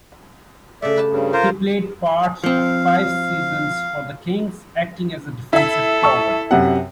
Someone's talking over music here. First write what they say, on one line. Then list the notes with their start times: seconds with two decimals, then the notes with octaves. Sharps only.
He played parts of five seasons for the Kings, acting as a defensive forward.
0.82 C#3 A3 D5 E5
0.96 G4 B4 A5
1.10 G2 C#3
1.33 D4 F4 A#4 C5
2.44 F3 C4 F5
5.53 E4 A4 E5
6.03 A5 C#6 E6
6.51 F#2 C3 F#5